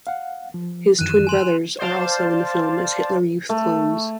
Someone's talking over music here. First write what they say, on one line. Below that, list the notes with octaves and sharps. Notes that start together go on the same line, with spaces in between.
His twin brothers are also in the film as Hitler Youth clones.
F5 F#5
F3
F#2 D#3 E3 F#6 D#7 E7
G#5 C6 F7
C5 D5 F5 A5
A3